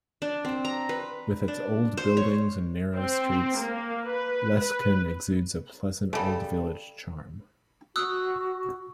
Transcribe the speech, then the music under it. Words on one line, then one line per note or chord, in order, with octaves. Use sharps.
With its old buildings and narrow streets, Lescun exudes a pleasant old village charm.
D4
C4
A#5
B4
D4
C5
C#5
C4
A#3
B4
B4
C#3 G3 A4
F#4 D#6 E6 F#6